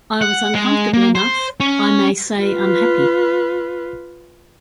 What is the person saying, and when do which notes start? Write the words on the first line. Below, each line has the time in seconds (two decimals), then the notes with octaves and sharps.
I was uncomfortable enough, I may say unhappy.
0.22 F#5
0.54 G#3
0.93 A#3
1.15 C5
1.60 C#4
2.40 F4 B4